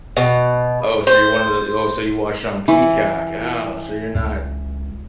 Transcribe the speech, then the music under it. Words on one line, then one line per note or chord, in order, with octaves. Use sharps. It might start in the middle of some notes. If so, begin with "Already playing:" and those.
Oh, so you're one of tho oh, so you watched it on Peacock. Oh, so you're not,
B2
C5
E3
C#2